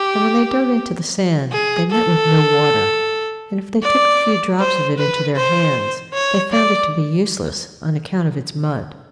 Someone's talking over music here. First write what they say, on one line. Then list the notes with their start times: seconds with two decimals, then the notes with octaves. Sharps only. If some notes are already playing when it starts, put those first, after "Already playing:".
And when they dug into the sand, they met with no water; and if they took a few drops of it into their hands, they found it to be useless, on account of its mud.
Already playing: G4
1.52 G#4
1.91 A4
3.83 D5
4.60 C5
4.98 B4
5.36 C5
6.14 C#5
6.52 D5